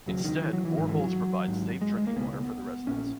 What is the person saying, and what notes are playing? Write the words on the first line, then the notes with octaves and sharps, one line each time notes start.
Instead, boreholes provide safe drinking water for the residents.
E1 D#2 C#3 F#3
D#3
E3
F#3
E3
G#1 G#2 D#3
E3
F#3
G#1 G#2
G#3
G#3
A#3
C#2 B2 B3
A#1 A#2 C#4